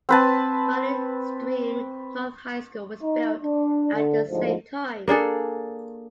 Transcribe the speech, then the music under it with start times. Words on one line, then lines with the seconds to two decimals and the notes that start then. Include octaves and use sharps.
Valley Stream North High School was built at the same time.
0.09 C4 B4 A5
3.02 D#4
3.43 D4
3.94 D3
4.28 D2 G#2 F3
5.08 A#3 D4 G#4 A4